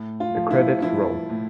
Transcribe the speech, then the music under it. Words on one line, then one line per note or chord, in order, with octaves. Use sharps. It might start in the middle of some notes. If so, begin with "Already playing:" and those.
The credits roll.
Already playing: A2
F4
F3
E4
F3 E4
A2